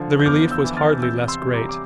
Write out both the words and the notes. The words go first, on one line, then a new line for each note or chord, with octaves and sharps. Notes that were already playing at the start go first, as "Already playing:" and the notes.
The relief was hardly less great.
Already playing: D3 F3
G6
E2 D6 F6
E6 G6
E3
F6 A6
C3 E6 G6
C6 E6
G3
A#5 D6
D6